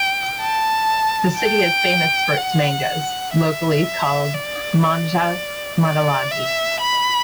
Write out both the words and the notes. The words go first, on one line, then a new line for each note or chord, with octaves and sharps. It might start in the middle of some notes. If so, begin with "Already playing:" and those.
The city is famous for its mangoes, locally called "mangga manalagi".
Already playing: G5
A5
G5
F#5
E5
D5
D5
D5
E5
B5